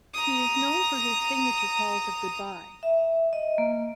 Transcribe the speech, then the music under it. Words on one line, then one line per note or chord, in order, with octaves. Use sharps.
He is known for his signature calls of Goodbye!
A#5 D#6
E5
D#5
A#3